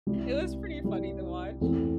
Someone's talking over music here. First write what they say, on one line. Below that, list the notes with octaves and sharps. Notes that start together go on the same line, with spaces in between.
Iit was pretty funny to watch.
C2 C3 G3 E4 G4
C2 C3 G3 E4 G4
E2 E3 A3 C4